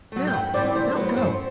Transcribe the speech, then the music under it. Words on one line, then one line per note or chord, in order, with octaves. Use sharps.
"Now--now, go."
F#3 A3
G5
G2 F#5
E3 G3 C4 D5
C3 C5
C5
F#3 B3 B4
F#2 C5